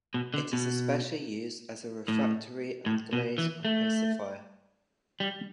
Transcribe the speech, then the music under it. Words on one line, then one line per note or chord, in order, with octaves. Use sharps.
It is especially used as a refractory and glaze opacifier.
B2
D3
B2
A2
A2
B2
E3
A3
G3